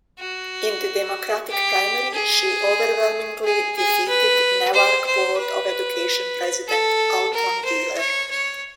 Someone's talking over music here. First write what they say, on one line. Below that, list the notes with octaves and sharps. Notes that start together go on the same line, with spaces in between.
In the Democratic primary she overwhelmingly defeated Newark Board of Education President Alton Wheeler.
F#4
G4
G#4
G#4
G#4
B4
C5
C5
B4
A4
A#4
C5
C#5
C#5